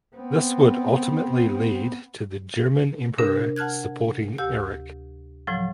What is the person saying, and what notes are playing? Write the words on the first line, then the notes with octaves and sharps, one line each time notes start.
This would ultimately lead to the German emperor supporting Eric.
B3 C4
C3 D4 A#4
F#5 A5 F6 F#6 G#6
D2 G4 E6
A2 C#3 F3 F#3